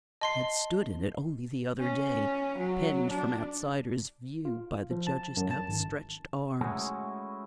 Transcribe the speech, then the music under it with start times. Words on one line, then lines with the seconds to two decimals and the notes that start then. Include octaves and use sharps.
She had stood in it only the other day, penned from outsiders' view by the judge's outstretched arms.
0.21 D#5 A5 C6 C7
1.80 C#4
2.58 F#3
3.10 D4
4.45 F4
4.91 F3
5.07 A5
5.37 F#2
5.51 A5
5.68 G#1
6.61 G#3 A3 C#4 E4 F#4 G#4